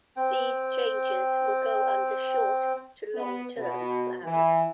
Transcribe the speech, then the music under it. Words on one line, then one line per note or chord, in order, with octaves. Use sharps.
These changes will go under short to long term plans.
C4 G5
B3
B2
E3